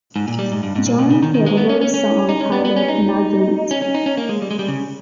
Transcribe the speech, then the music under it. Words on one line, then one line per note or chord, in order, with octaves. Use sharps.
John Cale wrote a song titled "Magritte".
G#2
A#2
G3
G#2
G2
G#2
A#2
B2
C#3
D#3
D#3
G#3
B3
C#4
C#4
C#4
D#4
C#4
B3
B3
C#4
D#4
C#4
C#4
D#4
C#4
A#3
G#3
G3
G#3
G3
C#3